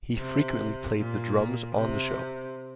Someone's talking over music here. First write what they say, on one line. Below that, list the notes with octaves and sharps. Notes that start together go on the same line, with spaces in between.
He frequently played the drums on the show.
C3
A#2
C3